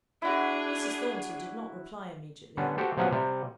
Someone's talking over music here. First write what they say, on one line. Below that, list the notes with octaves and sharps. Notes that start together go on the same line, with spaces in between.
Mrs. Thornton did not reply immediately.
D4 E4 F#4 G#4
D3 G3 B3 C#4 D4
F#4 G4 A4 C5
C3 F3 F#3 B3 C#4
C3 G3